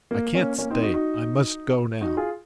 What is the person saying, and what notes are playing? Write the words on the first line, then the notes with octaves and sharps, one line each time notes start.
"I can't stay, I must go now...."
A#3
A#3 C#4
A#3 C#4
C4 D#4
D#4 F#4
D#4 F#4
D#4 F#4
F4 G#4